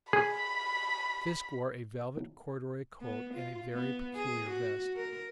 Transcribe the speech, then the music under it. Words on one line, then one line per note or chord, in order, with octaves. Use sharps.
Fisk wore a velvet corduroy coat and a very peculiar vest.
G#4 B5
B3
F4
B3
G#4
F#4
A#4